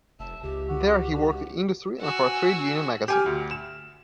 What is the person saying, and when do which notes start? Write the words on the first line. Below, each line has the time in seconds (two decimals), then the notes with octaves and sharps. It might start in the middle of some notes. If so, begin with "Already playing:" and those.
There he worked in industry and for a trade union magazine.
0.20 F1 E5 A5
0.43 C#2 G4
0.68 F#4
2.02 F#4 G#5 E6
3.08 G4 G#5 F6
3.26 D2
3.51 E7